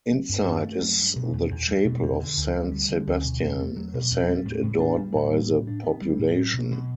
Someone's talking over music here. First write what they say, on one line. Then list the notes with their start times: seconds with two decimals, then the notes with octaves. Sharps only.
Inside is the chapel of Saint Sebastian, a saint adored by the population.
0.11 F#3
0.29 G2
0.46 D4
0.64 A3
0.81 F#3
0.99 G2
1.16 B2
1.33 E2
1.51 E2
1.68 G3
1.85 B2
2.03 E2
2.20 D3
2.37 D2
2.55 D2
2.72 G3
2.89 D3
3.07 D2
3.24 B2
3.42 E2
3.59 A3
3.76 F#3
3.94 B2
4.11 E2
4.29 G3
4.45 A2
4.63 A2
4.80 D4
4.97 G3
5.15 A2
5.32 G3
5.50 A2
5.67 D4
5.84 B3
6.02 G3
6.19 A2
6.36 F#3
6.53 B2
6.71 B2